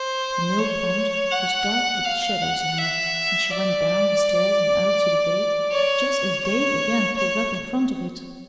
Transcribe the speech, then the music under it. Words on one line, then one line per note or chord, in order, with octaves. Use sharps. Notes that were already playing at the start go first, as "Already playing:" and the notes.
The millpond was dark with shadows now, and she went down the stairs and out to the gate just as Dave again pulled up in front of it.
Already playing: C5
C#5
F#5
F5
F#5
E5
D5
C#5
C#5
C#5